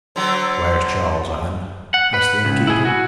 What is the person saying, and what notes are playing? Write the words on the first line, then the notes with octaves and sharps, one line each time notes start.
"Where is Charles, Ann?" asked the innkeeper.
D3 F#3 C5
F#5
B4
C#2
E4 G#4
F#4